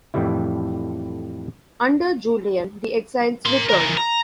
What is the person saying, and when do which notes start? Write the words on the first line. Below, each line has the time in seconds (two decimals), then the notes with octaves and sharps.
Under Julian the exiles returned.
0.14 F2 A2 E3 G3 E4
3.46 A#4 C6
3.69 E3 A#4
3.97 A#5